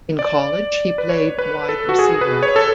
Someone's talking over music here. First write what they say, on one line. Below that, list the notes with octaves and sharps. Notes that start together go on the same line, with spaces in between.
In college he played wide receiver.
D5
B4
C#5
B4
A4
F#4
G#4
B4
C#5
A4